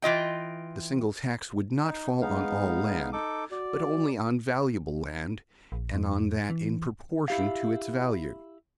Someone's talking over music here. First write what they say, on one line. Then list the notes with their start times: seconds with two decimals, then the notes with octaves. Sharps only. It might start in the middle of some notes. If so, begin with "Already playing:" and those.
The single tax would not fall on all land, but only on valuable land, and on that in proportion to its value.
0.02 E3 F4 D#5 G5
1.84 D#4
2.21 G#3 B3 D#4 F5
3.13 D#4 A4 D6
3.51 F#4 D5
5.72 A#1
5.94 F2
6.50 E3
7.28 E4 G4 F5